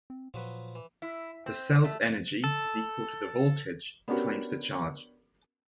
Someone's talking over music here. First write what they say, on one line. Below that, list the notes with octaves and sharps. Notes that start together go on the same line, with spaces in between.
The cell's energy is equal to the voltage times the charge.
C4
A#2 F3 F#3 B4
E3
E4
C4
A3
A4
B3 C#4 D4 F#4 G4 A#4